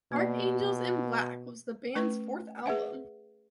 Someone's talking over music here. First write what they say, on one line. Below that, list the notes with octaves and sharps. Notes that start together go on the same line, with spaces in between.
"Archangels in Black" was the band's fourth album.
B2 A#3 D5
A3 C#4 B4 C#6
G#4 B4 E5 F#5